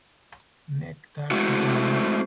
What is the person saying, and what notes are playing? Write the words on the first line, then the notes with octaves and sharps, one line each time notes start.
Neck dark brown.
G#3 A3 C4 E4 F#4